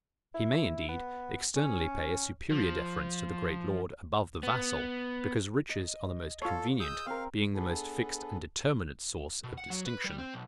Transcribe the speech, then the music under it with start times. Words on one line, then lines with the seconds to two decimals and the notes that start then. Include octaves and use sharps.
He may, indeed, externally pay a superior deference to the great lord above the vassal; because riches are the most convenient, being the most fixed and determinate, source of distinction.
0.34 E4
0.89 B3
1.56 C#4
2.51 F3
4.43 B3
5.69 D#5
6.42 F4 A4 C#5 C6
6.80 G#4 D#6 E6 G6
7.06 C4 A#4 F5
7.55 B3 D4 G#4 A4 B4
9.44 B2
9.58 F#5
9.70 F#3
9.86 B4
10.04 G3
10.18 C4
10.34 B1